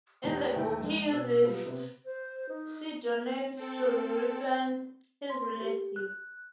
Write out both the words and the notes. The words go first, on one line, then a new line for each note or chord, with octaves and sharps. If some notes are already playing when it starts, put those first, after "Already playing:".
In the book he uses pseudonyms to reference his relatives.
E2 A2 G4
D#2 A3 E4 G5
A#1 G#3
B2 E6
F#3 G3 B3 F4 A4
C3 B3
C5
D#4
C4 A4
C6
G4
F#6